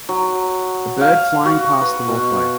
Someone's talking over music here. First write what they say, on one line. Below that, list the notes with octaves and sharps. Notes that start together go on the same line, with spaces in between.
A bird flying pass the walkway.
F#3
F5
F#4
B4
B2